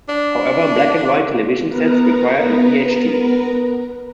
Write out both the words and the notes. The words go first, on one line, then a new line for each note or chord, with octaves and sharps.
However, black and white television sets required an e.h.t.
D4
B3 A#4 B4 A#5